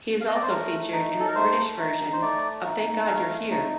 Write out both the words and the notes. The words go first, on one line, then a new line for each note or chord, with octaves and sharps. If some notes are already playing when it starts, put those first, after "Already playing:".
He has also featured in the British version of "Thank God You're Here".
F5
D#5
D5
C5
A3 A#4
D#4
A4
A#4
A3 C5
D#4
C5
A3 D5
D#4
A3 F5
D#4